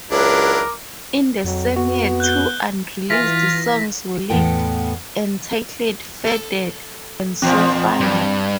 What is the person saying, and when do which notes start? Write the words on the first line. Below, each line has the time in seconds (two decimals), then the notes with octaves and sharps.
In the same year two unreleased songs were leaked, entitled 'Faded' and 'So Fine'.
0.11 C#2 F#3 D4 E4 A#4 D6
1.45 F2 F#3
1.76 B3 F#4
2.20 F#6 G6 G7
3.10 E3 F4 A#6 B6
4.30 E2 A2 B3 A4 F#5 G5
6.26 A4
7.42 E2 A#2 F3 C4
8.00 G2